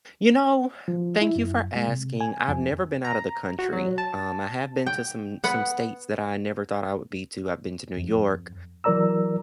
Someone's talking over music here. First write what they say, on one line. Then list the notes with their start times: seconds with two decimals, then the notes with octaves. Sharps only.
You know, thank you for asking. I've never been out of the country. Um, I have been to some some states that I never thought I would be to, I've been to New York,
0.88 F3
1.22 E4
1.36 F#2
1.76 G#3
1.87 C3
2.21 G#5
2.48 F2
3.05 A#5
3.59 F#4
3.73 F#3
3.98 A5
4.87 G5
5.44 B3 F#5
7.97 F2
8.84 E3 F#3 A#4 D5 A#5 E6